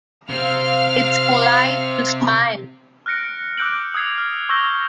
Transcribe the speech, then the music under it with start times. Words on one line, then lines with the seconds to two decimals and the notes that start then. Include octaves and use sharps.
It's polite to smile.
0.30 C3 C4 F5 F6
3.06 F6 F#6 A#6 C#7 D7
3.58 D6 E6 F#6 G6 D7 F#7
3.94 D#6 E6 G#6 C7 F7
4.18 F6
4.49 C#6 E6 G6 A#6 F7 G7